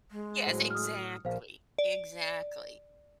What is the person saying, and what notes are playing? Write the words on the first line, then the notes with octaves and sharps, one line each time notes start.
Yes, exactly exactly,
G#3
A2 F#3 C5
D#6 F6
A#1 A#4 C5 F5
D5